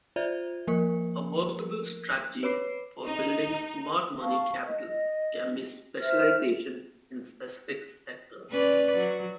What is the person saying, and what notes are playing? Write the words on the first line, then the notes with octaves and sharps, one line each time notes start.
A workable strategy for building smart money capital can be specialization in specific sectors.
F4 C5 D5 E5
F3 A#3 A#4
B4 C#5 B5 D6 C7
D#4
F5 A5 C#6
D#5
C5 E5 F6
C#4 B4 D5
F#3